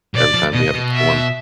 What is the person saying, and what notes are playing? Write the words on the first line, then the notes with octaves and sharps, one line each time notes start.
every time we have a storm.
B2 D5
F3
B2 D#5
B2
E5